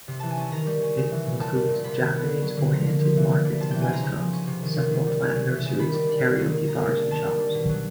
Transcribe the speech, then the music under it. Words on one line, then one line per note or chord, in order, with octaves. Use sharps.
It includes Japanese-oriented markets and restaurants, several plant nurseries, karaoke bars and shops.
C3
E3 A5
G#5
C#4 A5
D#3 A#5
G3
C#4
C#3
E3
C#4
A#2 A5
G3
A#2
C3 B5
D#3
B3
D3
F#3
D3
F3 A#5
A#3
F3
E3
G3
D4
C3 A5
E3 G5
G#5
C4 A#5
C#3 A#5
F3
C#4
C3
D#3
C3
D#3
G3
C#4
C#3
E3
C#3
D#3 B5
G3
D4
C3
D#3
A#3
D#3 A#5
G#3
D4
D#3 A5
G3
D4
B2
F#3